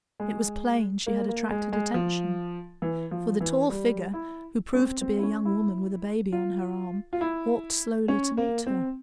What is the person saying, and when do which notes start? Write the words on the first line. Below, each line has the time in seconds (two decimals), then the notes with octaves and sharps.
It was plain she had attracted attention; for the tall figure, who proved to be a young woman with a baby on her arm, walked slowly to meet her.
0.20 G#3
1.07 A#3
1.28 A#3
1.51 G#3
1.72 G#3
1.94 F3
2.82 E3
3.11 F3
3.40 E3
3.70 G3
4.14 E4
4.74 C#4
4.79 C4
5.01 C4
5.18 E4
5.23 C#4
5.45 E4
6.32 F4
7.13 F4
7.21 E4
8.08 C#4
8.37 A#3
8.67 C4